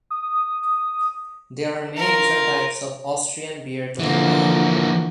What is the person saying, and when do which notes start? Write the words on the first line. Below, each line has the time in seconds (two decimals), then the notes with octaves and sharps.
There are many different types of Austrian beer to be found.
0.10 D#6
1.97 F4 A#4
3.99 D3 E3 F3 A#3